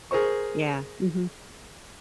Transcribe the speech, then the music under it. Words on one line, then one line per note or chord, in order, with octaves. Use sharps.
Yeah, mhm.
G#4 A#4 C5 C#6